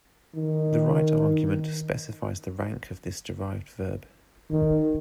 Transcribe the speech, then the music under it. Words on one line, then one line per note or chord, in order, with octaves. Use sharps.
The right argument specifies the rank of this derived verb.
D#3
D#3